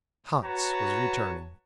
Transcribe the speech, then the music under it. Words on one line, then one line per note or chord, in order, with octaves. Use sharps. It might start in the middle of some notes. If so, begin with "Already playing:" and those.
Hans was returning.
F#4 B4 C#5 A5 A#5